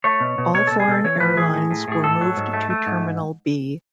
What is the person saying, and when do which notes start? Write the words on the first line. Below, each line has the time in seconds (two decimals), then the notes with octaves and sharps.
All foreign airlines were moved to Terminal B.
0.04 A3 C#5
0.20 B2
0.38 B2
0.54 B2 C#5
0.67 B2 A4
0.80 G#4
0.88 B2 A4
1.04 E3 C#5
1.20 A2 B4
1.37 E3 G#4
1.54 A2
1.71 A2
1.88 A2 G#4
2.04 G#2 A4
2.21 F#3
2.37 G#2
2.53 A3
2.70 A3
2.87 G#2